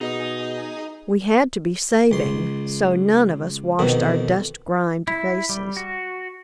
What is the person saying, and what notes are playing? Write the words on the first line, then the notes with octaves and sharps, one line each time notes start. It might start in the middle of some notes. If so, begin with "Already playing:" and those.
We had to be saving, so none of us washed our dust-grimed faces.
B2 D#4 G#4 D#5 D#6
C#2 C6
F2 B2 D#3
E4
G3
F#4